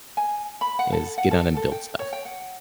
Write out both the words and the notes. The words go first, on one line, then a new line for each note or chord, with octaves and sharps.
is get on and build stuff,
G#5
B5
F#5
A4
F#5
A4
A4
G5
C#5
G5
F#5